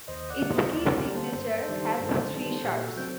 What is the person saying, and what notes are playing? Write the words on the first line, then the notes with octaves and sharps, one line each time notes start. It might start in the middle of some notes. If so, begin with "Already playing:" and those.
Its key signature has three sharps.
D#2 C5 D#5
D5 F#5
D3 G3 A#3
C5 D#5
D#2 A#4 D5
G4 A#4
D3 G3 A#3 D5
A4 C5
G2
D#3 G3 D4
G2
D#3 G3 D4
A#2 G4 A#4
F#4 A4
F#3 C4 G5